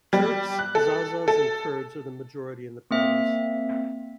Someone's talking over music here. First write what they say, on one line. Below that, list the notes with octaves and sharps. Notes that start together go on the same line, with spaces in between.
Turks, Zazas and Kurds are the majority in the province.
G3
F#6
A4
A4
A#3 C4 E5